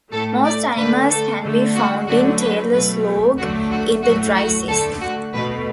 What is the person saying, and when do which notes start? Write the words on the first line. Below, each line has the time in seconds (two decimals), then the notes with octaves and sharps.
Most animals can be found in Taylor Slough in the dry season.
0.12 A2 A3 A4
0.44 D5
0.76 D3 A3 B4
1.09 A4
1.42 D3 A3
1.75 F#4
2.07 D3 F#3 A3 F#4
2.40 B4
2.72 B2 F#3 A3 B4
3.37 D3 F#3 A3 F#4
3.70 F#4
4.03 A2 F#3 A3 F#4
4.36 F#4
4.68 D3 A3 A4
5.00 F#4
5.33 B2 A3 B4